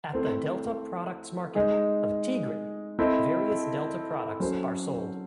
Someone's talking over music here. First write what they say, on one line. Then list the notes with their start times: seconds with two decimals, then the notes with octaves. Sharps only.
At the Delta Products Market of Tigre, various Delta products are sold.
0.13 A3 C4 E4 A4 C5
1.55 G#3 D#4 G#4 D#5
2.99 C4 E4 A4 D#5
4.40 F#3 C#4 F#4 A4 C5